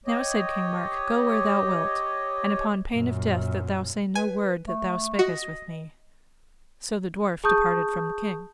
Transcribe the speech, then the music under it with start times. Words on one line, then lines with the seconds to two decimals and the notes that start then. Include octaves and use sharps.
Now, said King Mark, go where thou wilt, and upon pain of death that thou say no word that thou spakest with me; so the dwarf departed from the king.
0.06 G4 C#5 D#5
2.91 F#2 A#2
4.15 B4 G#5
4.67 A3
5.19 F#4 D#5
7.44 G#4 A5 C#6 D#6 G6